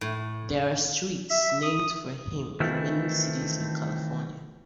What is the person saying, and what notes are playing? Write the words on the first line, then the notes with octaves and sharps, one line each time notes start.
There are streets named for him in many cities in California.
A2
E5
D#6
D#3 E3 A3 C4 E4 F4